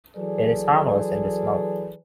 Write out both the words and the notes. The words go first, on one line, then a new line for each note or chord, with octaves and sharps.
It is harmless in this mode.
E3 F#3 G#4 A4 B4 D5